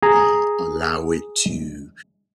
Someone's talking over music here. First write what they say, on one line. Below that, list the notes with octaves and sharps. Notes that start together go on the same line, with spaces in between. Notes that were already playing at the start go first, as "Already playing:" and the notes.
uh, allow it to,
G#4 A#5